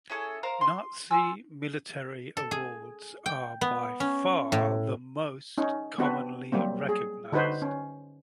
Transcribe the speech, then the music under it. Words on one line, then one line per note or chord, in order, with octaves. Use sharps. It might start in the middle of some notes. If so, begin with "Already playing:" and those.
Nazi military awards are by far the most commonly recognised.
C#4 E4 G#4 A4
A#4 C5 F5 A#5
C6
F4 G#5 E6
A4
G#4
G5
B3
C#4
A2
C#4 D#4
B3 C4 D4 F#4 B4
F#3 G3 A#3 C4
G#4
D3 D#4 F#4 B4 C5
C#4